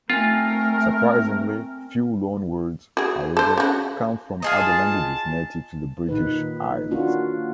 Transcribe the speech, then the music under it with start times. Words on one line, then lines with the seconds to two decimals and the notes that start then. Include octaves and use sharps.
Surprisingly few loanwords, however, come from other languages native to the British Isles.
0.10 A3 C4 F4 A#4 G#5
2.97 F#4 G#4
3.37 A4 C5
3.58 C#3 F#4
4.42 F4 G#4 D#5 A5
6.08 A#2 D#3 D#4 B4
6.91 A#3 D4 F4 F#4